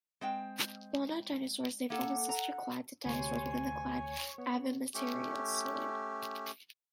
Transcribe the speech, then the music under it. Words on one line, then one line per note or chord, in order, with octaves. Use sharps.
While not dinosaurs, they form a sister clade to dinosaurs within the clade Avemetatarsalia.
G#3 C4 G5
A#3 A4 F#5
A#5
D2 C3 C5 C#5 G#5
C#5
B3
A3 C#4 G4